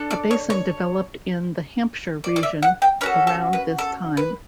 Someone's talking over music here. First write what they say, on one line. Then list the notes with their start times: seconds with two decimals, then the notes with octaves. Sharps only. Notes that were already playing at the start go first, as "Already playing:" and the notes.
A basin developed in the Hampshire region around this time.
Already playing: D4 A4
0.11 D5
0.31 C#5
0.50 C#5
2.24 D5
2.36 D5
2.43 E5
2.62 F#5
2.82 G5
3.01 C#4 F#4 A4 B4
3.27 A4
3.53 B4
3.78 A4
4.17 B4